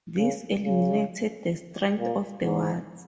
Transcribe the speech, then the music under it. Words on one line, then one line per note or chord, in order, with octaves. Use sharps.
This eliminated the strength of the wards.
C#3
C#3
A#2
G#2